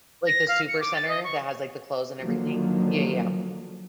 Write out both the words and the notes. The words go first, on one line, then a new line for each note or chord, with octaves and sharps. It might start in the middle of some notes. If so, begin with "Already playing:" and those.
Like, the Supercenter that has, like, the clothes and everything? Yeah, yeah.
A#6
F5
C#7
D6
A6
D#5
C#6
D3 D#3 F3 F#3 A#3